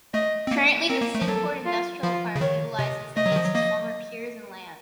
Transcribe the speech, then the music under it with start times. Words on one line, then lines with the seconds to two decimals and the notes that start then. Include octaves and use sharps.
Currently, the Sydport Industrial Park utilizes the base's former piers and land.
0.14 A3 D#5
0.47 C4
0.51 A#3
0.89 C4 A#4
1.02 A#3
1.15 A3
1.22 F3
1.28 F#3 A4
1.65 F4
2.03 F3 F4
2.36 C#3
2.41 D#3 C#5
2.78 C3 D#5
3.16 A3 D#5
3.26 F#3
3.32 D#3
3.36 F3
3.45 F#3
3.55 A#3 D#5